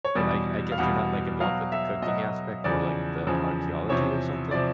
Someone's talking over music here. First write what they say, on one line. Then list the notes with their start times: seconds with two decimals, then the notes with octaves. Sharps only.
but I I guess you're not, like, involved with the cooking aspect, more like the archeology or something?
0.05 C#5
0.15 E2 B2 G3 D5
0.72 F5
0.78 E2 B2 G3 F#5
1.40 B2 F#3 F5
1.72 E5
2.02 B2 F#3 D#5
2.64 E2 C#3 F3 D5
3.27 E2 C#3 F3
3.89 E2 C3 F3 C#5
4.51 C3 F3 D5